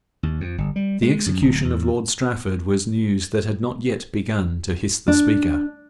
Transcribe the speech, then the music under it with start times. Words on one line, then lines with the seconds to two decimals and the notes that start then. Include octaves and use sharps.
The execution of lord Strafford was news that had not yet begun to 'hiss the speaker.'
0.23 D#2
0.41 F2
0.58 G1
0.76 G3
1.03 G#3
1.26 F#2
1.41 D1
1.64 E2
5.08 D4